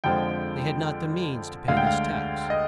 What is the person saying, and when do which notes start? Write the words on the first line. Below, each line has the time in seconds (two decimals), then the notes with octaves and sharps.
They had not the means to pay this tax.
0.04 F2 D3 F3 G#3 G5
1.68 D2 D3 G#3 F5
1.77 G5
1.87 F5
2.50 D#5